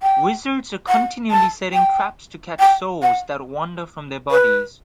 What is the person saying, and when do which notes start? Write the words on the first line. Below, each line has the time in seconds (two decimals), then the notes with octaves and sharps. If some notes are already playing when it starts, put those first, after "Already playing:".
Wizards are continually setting traps to catch souls that wander from their bodies.
0.03 G5
0.88 F#5
1.31 A5
1.74 G5
2.59 G5
3.02 F#5
4.31 B4